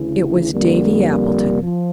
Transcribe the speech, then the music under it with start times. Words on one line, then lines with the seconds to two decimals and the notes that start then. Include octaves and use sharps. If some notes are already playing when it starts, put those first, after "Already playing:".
It was Davy Appleton.
Already playing: D2 C#3 E3
0.52 F2 D3 G3 A#3
1.62 F3